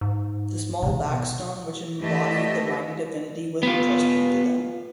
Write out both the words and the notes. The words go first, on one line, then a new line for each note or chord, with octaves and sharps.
The small black stone which embodied the mighty divinity was entrusted to them.
G#2
B2 D#3
E3 A3 G4 D#5 E5
B3 F4